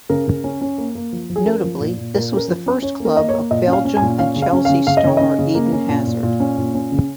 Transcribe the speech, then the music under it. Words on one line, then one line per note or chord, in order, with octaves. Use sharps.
Notably, this was the first club of Belgium and Chelsea star Eden Hazard.
C#3 A#4
C#3
C#4
C#4
A#3
A#3
F3
F3
G#4
C#4 A#4
F3
A#2
A#2
A#2 A#4
C#4 A#4
F3
C#4
C#4 C#5
A#3 A#4
A#3 D#5
C#5
A#3
A#2 D#5
C#4
F5
C#4
G#5
A#2
C#4 F5
C#3
F5
C#4
F5
C#3
C#3 F5
D#5
C#3 C#5
C#4 D#5
C#3
A#3
C#4
A#2
A#2
A#2
C#4
A#2
C#4
C#3